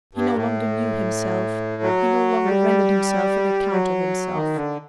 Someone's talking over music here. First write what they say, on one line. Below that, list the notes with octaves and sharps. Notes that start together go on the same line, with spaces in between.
He no longer knew himself, he no longer rendered himself an account of himself.
G2
A2
F#3
G3
F#3
D#3
D3